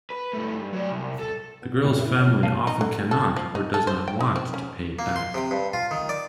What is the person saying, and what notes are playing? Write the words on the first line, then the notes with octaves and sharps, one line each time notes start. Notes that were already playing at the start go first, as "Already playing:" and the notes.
The girl's family often cannot or does not want to pay it back.
B4
G2 A3
G2
F#3 D5
C2
A4
B3
F#2 A#2 G3 C#4
E4 E5
C#5 F#5
F#3
A1 C#5 F5 A5 C7 D#7
D#4
D3
A4
F3
D#4
A4
C5
G5
D#4
C4
C#4
A#3
C6
C3
G2
F4
D#3
D5